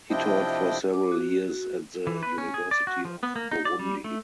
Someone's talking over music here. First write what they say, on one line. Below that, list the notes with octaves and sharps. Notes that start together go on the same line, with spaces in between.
He taught for several years at the University of Burundi.
C3 F3 D4 E4 D#5 G5
D6
F#4
E3
B4
C#4
G#4
D5
F#4
F3
B3
A#3
D#4
D5
G3
A3